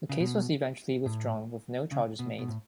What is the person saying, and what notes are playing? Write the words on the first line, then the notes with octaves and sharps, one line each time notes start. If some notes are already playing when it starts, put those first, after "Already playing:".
The case was eventually withdrawn with no charges made.
C#3
B2
A2
C#3
B2
B2
A2